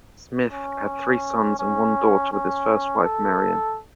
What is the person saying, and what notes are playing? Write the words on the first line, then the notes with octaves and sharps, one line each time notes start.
Smith had three sons and one daughter with his first wife, Marion.
C#4
C#4
C#4
A4